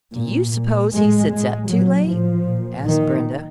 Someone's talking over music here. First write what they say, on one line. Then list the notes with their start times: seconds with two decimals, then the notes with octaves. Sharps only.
"Do you suppose he sits up too late?" asked Brenda.
0.13 A#2
0.52 A#2
0.91 A2 G#3
1.29 A2 G#3
1.68 A#2 F#3
2.07 A2 F3
2.46 A#2
2.85 A#2 D#3